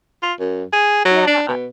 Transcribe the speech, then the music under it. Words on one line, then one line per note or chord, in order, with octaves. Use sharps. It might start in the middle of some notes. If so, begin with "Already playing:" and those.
Yeah I
F4
F#2
G#4
F#3
D4
B2